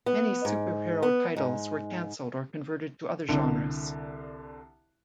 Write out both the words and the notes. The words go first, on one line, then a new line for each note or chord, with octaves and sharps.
Many superhero titles were cancelled or converted to other genres.
B3
G#2
B3
G#2
C2 D3